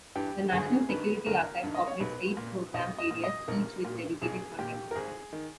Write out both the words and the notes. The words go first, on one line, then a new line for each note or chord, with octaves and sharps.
The National Security Archive operates eight program areas, each with dedicated funding.
G2 E3 G4
G1 G#4
G2 D#3 B4
G1 A#4
G2 D#3
D#5
C#5
B1 B4
A#2
B1 D#5
D#5
A#2
D#5
B1 A#4
A#2
B1 G#4
A#2 G4
A#4
G#1 G#4
D#3